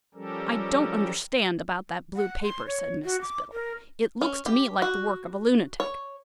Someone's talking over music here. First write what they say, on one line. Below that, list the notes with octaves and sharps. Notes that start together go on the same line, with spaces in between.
'I don't understand about that blue paper,' said Mrs Biddle. 'It looks to me like the work of a lunatic.
F3 G3 C#4 G4 A4 A#4
F#5
C6
C#5
F#4
D6
A#4
C#4
G4
F#4
C#5